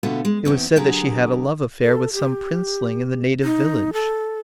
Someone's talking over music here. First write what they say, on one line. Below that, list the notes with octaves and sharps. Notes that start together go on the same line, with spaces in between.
It was said that she had a love affair with some princeling in the native village.
B2 D3 A3 B3 F4 F#4
G#3
E2 C4 C#4
D3 F#3 G4 G#4 A#4
A4
G4
D#4
A4